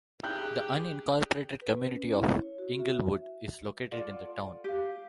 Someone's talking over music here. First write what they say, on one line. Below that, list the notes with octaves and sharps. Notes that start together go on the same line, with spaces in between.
The unincorporated community of Englewood is located in the town.
G4 G#4 G5 F#6 G6
B4
C#4
E4
C#5
F#4
E5
F4 A4 D5 F#5
G4 F5